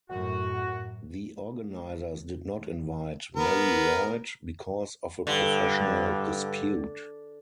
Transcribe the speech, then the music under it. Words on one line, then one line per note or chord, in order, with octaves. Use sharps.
The organisers did not invite Marie Lloyd, because of a professional dispute.
F#2 A2 F#4
B3 A#4
G2 D3